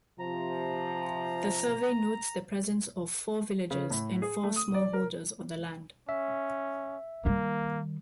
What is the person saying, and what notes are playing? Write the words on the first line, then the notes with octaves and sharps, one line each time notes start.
The survey notes the presence of four villagers and four smallholders on the land.
C3 F3 A#5
C#3
A2
G#4
A3
D#6
D5
A#4
C#4 E5
D#3 G3 A#3